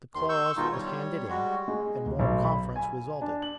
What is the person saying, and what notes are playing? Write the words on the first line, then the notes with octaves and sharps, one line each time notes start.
The clause was handed in, and more conference resulted.
D#2 D#3 C6
C#6 E6 G6
B2 D#3 G#3 D#4 F4
G3 C#5
G3 G#3 F#4
G#3
D2
B1
B5
G#5
D4
F#7